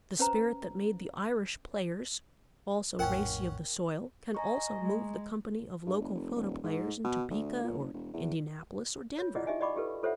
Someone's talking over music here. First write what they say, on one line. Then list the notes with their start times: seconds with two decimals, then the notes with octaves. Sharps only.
The spirit that made the Irish Players, all so racy of the soil, can also move the company of local photoplayers in Topeka, or Indianapolis, or Denver.
0.19 C#4 B4 C5 A#5
2.99 A#1 F2 A2 C#4 A#4 F#5 G5
4.35 D#5 G#5 A#5 C#6
4.80 G#3
5.87 G2
5.99 F#1
6.15 F1
6.36 D#1
6.64 G#2
7.04 B2
7.31 D2
7.64 A#2
7.79 F#1
7.93 E1
8.13 E2
9.18 F4 C#5
9.35 E4 F4 G#4 D5 D#5 F#5
9.47 D#4 G4 D#5 E5 G#5
9.61 D5 D#5 F#5 B5 C#6 D6
9.76 F4 G4 A4 B4
10.03 F4 A4 C5 C#5 E5 F#5